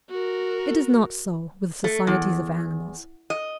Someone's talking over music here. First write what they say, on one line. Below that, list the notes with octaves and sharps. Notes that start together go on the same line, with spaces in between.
It is not so with societies of animals.
F#4 A#4
A3
E2
D#5